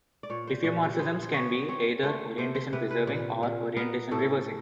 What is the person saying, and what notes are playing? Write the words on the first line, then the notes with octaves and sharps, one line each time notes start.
Diffeomorphisms can be either orientation preserving or orientation reversing.
D5
A#2 C#5
C5
A#2 F#4
G4
B3 C5
C5
B3 C#5
C4 C#5
A3 C5
C3 C5
C5
C3 B4
B4
A#2
A#2
B3 A#4
A2 A4